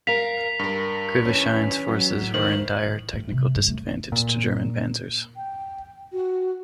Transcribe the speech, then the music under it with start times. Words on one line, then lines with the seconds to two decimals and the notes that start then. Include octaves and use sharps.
Krivoshein's forces were in dire technical disadvantage to German panzers.
0.07 A#4 F5 B6 F7
0.59 G2 G4 A#4
1.25 E3 C#4
1.88 F#3
2.34 A2 D#3 C5 F#7
2.86 A1
3.13 A3
3.32 C3
3.55 G2
3.68 A3
4.12 A#2
5.36 G5
6.12 F#4